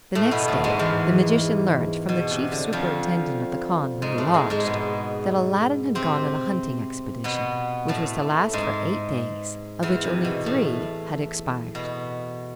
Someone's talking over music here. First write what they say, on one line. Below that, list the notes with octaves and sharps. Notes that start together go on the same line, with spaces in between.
The next day the magician learnt, from the chief superintendent of the khan where he lodged, that Aladdin had gone on a hunting expedition, which was to last for eight days, of which only three had expired.
A2 A3
B2 B3
A2 A3
G#2 G#3
E2 E3
B2
C3
D3
F2 F3
G#2 G#3
A2 A3
G#2 G#3
G#2 G#3
B2 B3
C3 C4
B2 B3
A2 A3
G#2 G#3
E2 E3
C3
B2
A2
B2